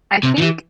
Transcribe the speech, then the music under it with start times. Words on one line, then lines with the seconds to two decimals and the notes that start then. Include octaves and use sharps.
I think
0.23 C3
0.38 D#3
0.42 E3